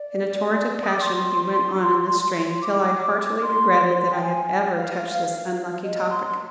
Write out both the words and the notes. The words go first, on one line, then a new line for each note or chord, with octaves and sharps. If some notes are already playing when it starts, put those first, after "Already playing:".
In a torrent of passion, he went on in this strain, till I heartily regretted that I had ever touched this unlucky topic.
Already playing: D5
D#6
D6
C6
D6
C6
G5
G#5
F5
D#5
C6